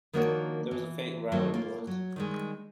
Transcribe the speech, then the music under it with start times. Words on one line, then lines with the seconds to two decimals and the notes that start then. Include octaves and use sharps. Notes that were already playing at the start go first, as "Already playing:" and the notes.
There was a faint rattling noise.
0.13 D#3 F3 A#3 D4 F#4 C#5
0.71 E3
1.32 D#3 F3 F#3 A#3 C4
1.54 A#3 F4 A#4
1.87 F#3
2.16 D#3 G3 G#3